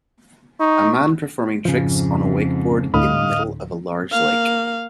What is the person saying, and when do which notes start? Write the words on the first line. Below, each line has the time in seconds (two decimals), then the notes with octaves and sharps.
A man performing tricks on a wakeboard in the middle of a large lake.
0.60 D#4 C#6
1.65 F2 G#2 C#3 F3
2.94 D2 A2 D3 D#5 F5 B5
4.12 A#3 F5